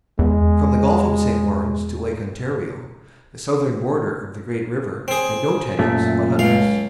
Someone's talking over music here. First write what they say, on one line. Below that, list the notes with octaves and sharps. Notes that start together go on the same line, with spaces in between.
From the Gulf of St. Lawrence to Lake Ontario, the southern border of the great river had no tenants but hunters.
E2 G#3
C4 G#4
F#2 A#2 A3
C#2 F5